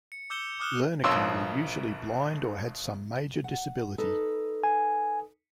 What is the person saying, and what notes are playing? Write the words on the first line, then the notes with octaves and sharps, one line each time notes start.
Lirnyky were usually blind or had some major disability.
C#7
D6 E6 G6 C#7 E7 G7
D6 D#6 F6 F#6 E7 G7
A#1 F2 B2 C#5 C6 E6
F#5
D#4 A4 B4
G#5